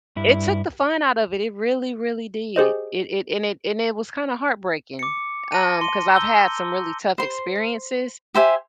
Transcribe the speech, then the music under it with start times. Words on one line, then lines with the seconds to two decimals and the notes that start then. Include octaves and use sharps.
it took the fun out of it, it really, really did. It it and it and it was kinda heartbreaking, um, 'cause I've had some really tough experiences
0.16 G2 E4
2.56 G4 G#4 C5 D#5
4.99 D6 C#7
5.52 A5 A#6 D#7
5.81 C6 D#7
6.14 A#5 E6 G6 G7
7.18 C5 C6
8.34 G4 C5 E5 G#5